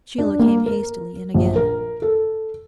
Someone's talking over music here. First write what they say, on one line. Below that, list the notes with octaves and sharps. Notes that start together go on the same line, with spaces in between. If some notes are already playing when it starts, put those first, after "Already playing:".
Sheila came hastily in again.
D4
A#3
A#4
A#1
A#4
A4